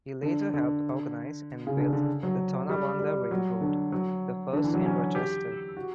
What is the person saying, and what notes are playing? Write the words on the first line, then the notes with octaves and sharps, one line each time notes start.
He later helped organize and build the Tonawanda Railroad, the first in Rochester.
D3
D3
C#3
D3
D3
F#3
G3
G3
F#3
D3
F#3
D3
E3
F#3
C#4
G4
F#4